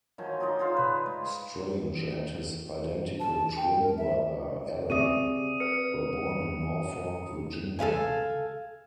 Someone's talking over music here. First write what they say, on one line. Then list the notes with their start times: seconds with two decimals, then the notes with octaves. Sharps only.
Strange and his identical twin brother, Allan, were born in Norfolk, Virginia.
0.18 D#3 F3 F#3 G#5
0.40 D#4 F4 D5 D#5
0.59 F4 G#4 C5 F5
0.77 B4
1.06 G#3
3.20 A5
3.57 G5
3.80 A#4
3.97 E5
4.90 C4 G4 G#4 D5 E5 D#6 D#7
5.60 B4 C#7
7.79 A4 B4 F5 G#5